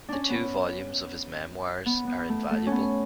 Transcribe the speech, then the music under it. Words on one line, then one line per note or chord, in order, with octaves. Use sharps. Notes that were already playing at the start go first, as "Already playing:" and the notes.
The two volumes of his "Memoirs" are invaluable.
C#4 D4
B3
C#4
B3
B3
A3
A3
B3 C#4